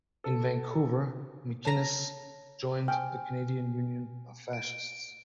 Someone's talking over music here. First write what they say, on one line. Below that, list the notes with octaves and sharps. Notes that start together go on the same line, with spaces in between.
In Vancouver, MacInnes joined the Canadian Union of Fascists.
A4
C#5 A5 A#5
G5 G#5 F6
D7